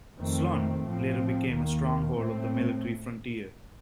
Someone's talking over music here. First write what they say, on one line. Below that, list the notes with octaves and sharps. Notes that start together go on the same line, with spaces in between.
Slunj later became a stronghold of the Military Frontier.
F2 D#3 A3 C4
A2 F3 C4
D#2 D#3 A#3
A2 A3 C4